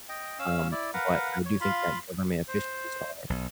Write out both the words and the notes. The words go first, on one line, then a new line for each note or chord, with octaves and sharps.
Um, but I do think that government officials are,
D#5 G5
C#4 F5 E6
E4 D5
A#4 B4 F5 F#5
C#5
F4 F5 B5 C6
C5
B1